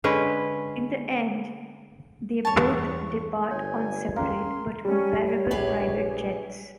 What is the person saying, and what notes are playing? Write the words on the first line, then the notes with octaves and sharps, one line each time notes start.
In the end, they both depart on separate but comparable private jets.
D3 G#3 C#4 B4
E2 G2 C#5 A5 C#6
G1 C#5 G#5
C#4 G#4 A#4 F5 C6
G3 C#4
C#5
A#1 G4 G#4 B4